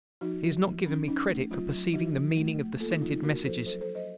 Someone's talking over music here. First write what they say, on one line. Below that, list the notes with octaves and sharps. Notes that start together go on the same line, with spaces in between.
He has not given me credit for perceiving the meaning of the scented messages.
F3 D#4 F#4
F3
F3
C#4
C#4 D#4
A3
F#3 F4
F#3
F3 D#4 F#4
F3
A3
A3
A#3 F4 A4
D#4
F3 F4
D#4
A#3 F#4 A#4
F3 A4 C5
F#3 A4 C5
A4 C5
F#3
C5 D#5